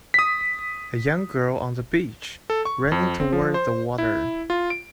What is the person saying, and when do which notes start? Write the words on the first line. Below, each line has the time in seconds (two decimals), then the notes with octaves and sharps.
A young girl on the beach, running toward the water.
0.14 D#6 B6
2.50 A4
2.65 C#6
2.92 F2
3.20 C4
3.32 F3
3.54 C5
3.98 E4
4.50 F4
4.70 D7